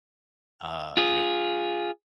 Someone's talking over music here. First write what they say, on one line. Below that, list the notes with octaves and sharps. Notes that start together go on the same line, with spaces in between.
uh, you know.
F4 G#4